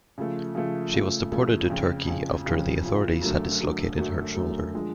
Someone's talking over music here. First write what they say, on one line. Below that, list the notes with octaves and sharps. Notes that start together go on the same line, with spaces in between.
She was deported to Turkey after the authorities had dislocated her shoulder.
C#3 F3 A3
C#3 F3 A3
C#3 F3 A3
C#3 F3 A3
F2 C#3 F3
F2 C#3 F3
F2 C#3 F3
F2 C#3 F3
F#2 D3 F#3 A3
F#2 D3 F#3 A3
F#2 D3 F#3 A3
F#2 D3 F#3 A3
D3 F3 G#3